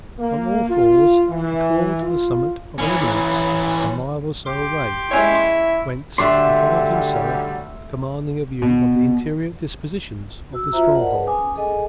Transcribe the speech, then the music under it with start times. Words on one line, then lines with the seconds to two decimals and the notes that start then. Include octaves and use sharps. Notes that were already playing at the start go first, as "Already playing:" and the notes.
On all fours he crawled to the summit of an eminence a mile or so away, whence he found himself commanding a view of the interior dispositions of the stronghold.
0.19 A#3
0.69 F4
1.29 E3
2.03 F4
2.78 E3 C#4
4.46 G4 C6 D6
5.11 G#3 C#4 E4 C#5
6.18 D3 F#3 G3 A3 D4 G4 E5 C6
8.62 B2
10.53 F#4 E6
10.72 F4 F#4 C5 E5 A#5
10.95 A#4 C5 D5 D#5 F#5 A5
11.11 G#4 B4
11.27 C#4 G#5 D6 D#6
11.55 G#4 A4 D#5 G#5